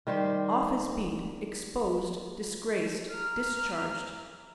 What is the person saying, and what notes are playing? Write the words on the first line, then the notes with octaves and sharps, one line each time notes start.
Off his beat, exposed, disgraced, discharged.
D#3 G3 G4 C5
A#5 F6